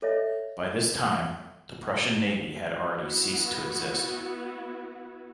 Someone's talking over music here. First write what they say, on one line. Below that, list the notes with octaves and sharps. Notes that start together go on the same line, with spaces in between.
By this time, the Prussian Navy had already ceased to exist.
A4 C#5 D#5 E5
B3 E4 F#4